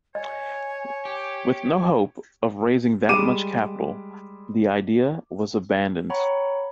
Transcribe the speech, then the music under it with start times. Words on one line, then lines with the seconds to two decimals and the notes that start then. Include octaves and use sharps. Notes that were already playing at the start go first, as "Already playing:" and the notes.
With no hope of raising that much capital, the idea was abandoned.
0.15 C#5 D#5 G#5
1.05 G4
3.08 G3 G#3 D6 D#7 E7
6.10 C#5 F#5 G5 A#5 B5 C#6